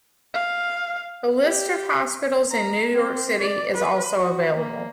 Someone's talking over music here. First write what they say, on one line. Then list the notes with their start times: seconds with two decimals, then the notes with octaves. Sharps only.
A list of hospitals in New York City is also available.
0.34 F5
1.43 G4
2.52 A#5
2.92 C4
3.41 D5
3.76 B4
4.18 F#4
4.55 A#3